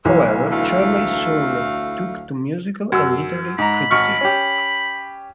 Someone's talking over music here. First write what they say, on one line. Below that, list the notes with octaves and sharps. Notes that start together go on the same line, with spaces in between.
However, Chorley soon took to musical and literary criticism.
B1 E3
D2 A3 F5
F#2 E6
G#2 A#5 B5
G#1 C#6 F6
C#4 G4